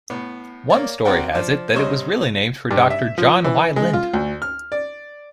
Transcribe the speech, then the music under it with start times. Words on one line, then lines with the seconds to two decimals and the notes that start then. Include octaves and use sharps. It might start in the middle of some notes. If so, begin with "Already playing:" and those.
One story has it that it was really named for Doctor John Y. Lind.
0.10 A2 B3
0.70 A#3 C#5 D5
1.05 C4 F#4 A#4 D5 F#5 G5
1.32 F3 D4
1.75 G2 C3 C5 C#5 D#5
2.71 G2
2.90 E5
3.18 F3
3.44 E3
3.76 G#3
3.93 F4
4.13 D2
4.42 F6
4.72 D5